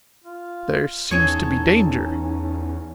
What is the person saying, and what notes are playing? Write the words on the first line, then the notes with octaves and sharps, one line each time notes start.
"There seems to be danger."
F4
E2 C#4 D#4 G#4 A4 C#5